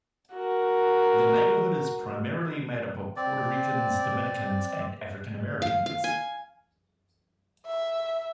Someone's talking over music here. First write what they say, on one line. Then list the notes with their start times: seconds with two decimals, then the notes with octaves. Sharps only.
The neighborhood is primarily made up of Puerto Ricans, Dominicans, and African Americans.
0.34 F#4 A#4
3.16 C4 D5
5.62 F5
5.86 F5
6.04 G#5
7.66 E5